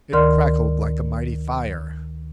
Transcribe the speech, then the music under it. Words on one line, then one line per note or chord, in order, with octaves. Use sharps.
It crackled like a mighty fire.
D2 D#3 A#4 D5 C6 F6